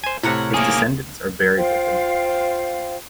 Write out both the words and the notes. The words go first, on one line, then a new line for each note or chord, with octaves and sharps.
His descendants are buried with him.
C5 G#5
A2 C3 A#4 C#5 F#5
A#3 G#4
F4 C5 F5 G5